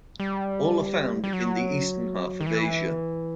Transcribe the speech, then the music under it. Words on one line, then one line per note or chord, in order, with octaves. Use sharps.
All are found in the eastern half of Asia.
G3
G3
F#3
D#3
E3